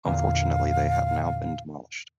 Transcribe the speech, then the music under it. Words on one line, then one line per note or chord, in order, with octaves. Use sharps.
Unfortunately they have now been demolished.
E2 A#2 D3 F5